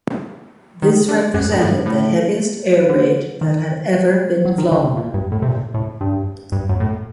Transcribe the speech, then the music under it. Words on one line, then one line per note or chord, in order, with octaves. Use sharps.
This represented the heaviest air raid that had ever been flown.
D#3
D3
F#2
G2
A2
G2
A2
D3
D#3
F#3
D#3
D3
C3
A#2
G2
A2
C3
A#2
A2
G2
G2
F#2
A2